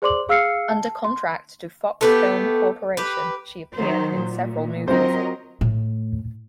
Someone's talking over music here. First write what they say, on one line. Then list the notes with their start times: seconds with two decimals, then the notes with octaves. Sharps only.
Under contract to Fox Film Corporation, she appeared in several movies.
0.02 G#4 C5 D5 C6 D6 F#7
0.29 G#4 F5 E6 F6 C7 C#7
0.71 A5
1.04 C6
2.01 A3 B3 G4
2.97 G4 B4
3.75 D#3 F#3 C5
4.15 A#2
4.88 F#3 C4 F4 A#4 C5 D#5
5.61 A2